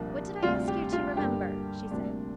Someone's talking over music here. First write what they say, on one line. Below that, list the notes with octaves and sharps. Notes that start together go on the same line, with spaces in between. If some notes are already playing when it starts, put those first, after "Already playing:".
"What did I ask you to remember?" she said.
Already playing: C2 A#2 F3 A#3 D4
D2 C3 G3 F4
G4
F4
G2 D3 G3 A#3 G4
D2 C3 G3 A#3 D4